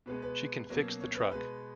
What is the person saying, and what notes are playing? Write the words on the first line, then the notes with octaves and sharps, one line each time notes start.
She can fix the truck.
B2 G#3 B3 B4
B4
B2 F#3 A#3 C#4
C#5
B4
B2 G#3 B3 B4